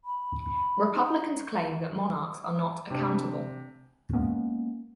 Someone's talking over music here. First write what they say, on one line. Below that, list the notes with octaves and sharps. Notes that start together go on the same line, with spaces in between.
Republicans claim that monarchs are not "accountable".
B5
D#4
C3 D4
G#3 A#3 B3 C#4